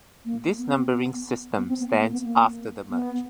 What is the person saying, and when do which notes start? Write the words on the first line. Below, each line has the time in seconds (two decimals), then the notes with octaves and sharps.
This numbering system stands after the merge.
0.25 A#3
0.58 B3
0.68 C4
0.78 B3
0.91 B3
1.58 B3
1.69 C4
1.80 B3
1.91 B3
2.02 A#3
2.12 B3
2.24 A#3
2.90 B3